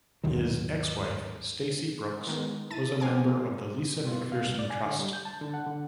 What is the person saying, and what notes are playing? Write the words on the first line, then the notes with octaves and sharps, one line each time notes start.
His ex-wife, Stacy Brooks, was a member of the Lisa McPherson Trust.
G#1 D#2 D#3 F#3
D#3 G#3 B3
E4 A5 A6 D#7
F3 C4 F5 G#5 D6
G2 E3 F4
F5
C2
D5
G#5
D3
G3
G6
A5
D3
F#5
D3